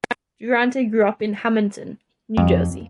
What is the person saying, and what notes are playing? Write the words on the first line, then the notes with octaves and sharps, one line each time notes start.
Durante grew up in Hammonton, New Jersey.
F2